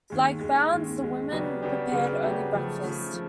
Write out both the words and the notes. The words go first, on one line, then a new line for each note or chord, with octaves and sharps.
Like Bounds, the woman prepared only breakfast.
D#2 D#3 G#3
D#2 D#3 G#3
D#2 D#3 G#3
D#2 D#3 G#3
C#3 F#3 B3 D4 G4
C#3 F#3 B3 D4 G4
C#3 F#3 B3 D4 G4
C#3 F#3 B3 D4 G4
C#3 F3 A3
C#3 F3 A3
F3